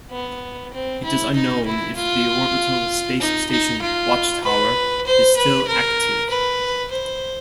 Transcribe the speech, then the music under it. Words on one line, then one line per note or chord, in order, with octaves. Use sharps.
It is unknown if the orbital space station Watchtower is still active.
B3
C4
E4
D#4
E4
F4
D#4
D#4
F4
B4
C5
B4
A#4
B4
C5